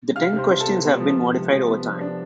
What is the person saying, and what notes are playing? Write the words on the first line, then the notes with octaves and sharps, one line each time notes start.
The ten questions have been modified over time.
C3 F5 F6
C3
C5 C6
C3
A4 A5
B3
B3
F3
C3
C3
F3
B3
F3
D4